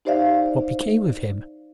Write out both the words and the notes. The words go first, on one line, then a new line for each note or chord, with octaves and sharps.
What became of him?
D#4 G4 C5 D5 E5 F5